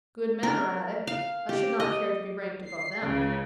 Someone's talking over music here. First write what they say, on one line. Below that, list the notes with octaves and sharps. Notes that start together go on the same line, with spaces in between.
"Good men are at it; I should not care to be ranked above them."
A#4
F5
G4
D#5
C7
C#2 C#3